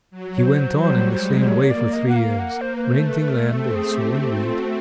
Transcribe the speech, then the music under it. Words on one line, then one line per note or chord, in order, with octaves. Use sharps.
He went on in the same way for three years; renting land and sowing wheat.
F#3
C#5
C5
G3 C5
G#3 C5
C5
A#3 C#5
D5
D#5
F#5
F5
F#5
C5
B4
A3 C5
B4
B4
A#4
C4 A4
G#4
G4
G4
F#4
F4
F#4